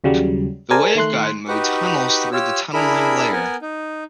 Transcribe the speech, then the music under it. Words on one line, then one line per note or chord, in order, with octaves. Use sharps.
The waveguide mode tunnels through the tunneling layer.
D#2 C#3 F#3 G3
G#4 A#4 C5 D5 G#5 A5
D#3 A3 C6 F#6
D#4 F#4 G4 B4 F#5
F4 G4 C#5 E6
D4 E4 G#4 A#4 B5
B3 A#4 F#5 G#5
D#4